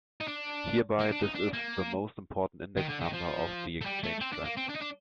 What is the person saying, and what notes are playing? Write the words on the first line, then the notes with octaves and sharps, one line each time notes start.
Hereby this is the most important index number of the exchange trends.
D#4
D4
A#3
D4
D#4
D4
A#3
D#3
D3
D#3
F3
A3
G3
A3
C4
D4
A#3
C4
D4
D#4
D4